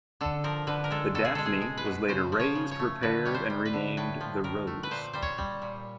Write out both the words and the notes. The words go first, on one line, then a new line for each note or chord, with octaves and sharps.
The "Daphne" was later raised, repaired, and renamed the "Rose".
D3 A4
F3 A#4
D3 B4
A#4
G#3 A4
B2 A4
G#4
G#3 A4
G#4
G#3
B4
B2
C#3 C5
F3
C#5
C#3
C#5
A3
D3 B4
G3 C#5
C5
G3
B4
D3
A2 B4
F3
A2 A#4
A3
B4
A#2 C5
G3 C5
C#5
G3
A#2